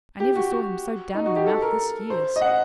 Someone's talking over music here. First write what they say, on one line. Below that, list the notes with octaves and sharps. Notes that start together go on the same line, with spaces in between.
I never saw him so down in the mouth this years.'
G4
F#4
F#4
D#4
F#4
G4
A4
A#4
C5
D#5
F#5